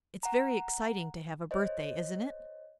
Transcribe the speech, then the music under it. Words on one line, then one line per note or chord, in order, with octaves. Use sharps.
It's very exciting to have a birthday, isn't it?
F#5 A#5
C5 C#5 D#5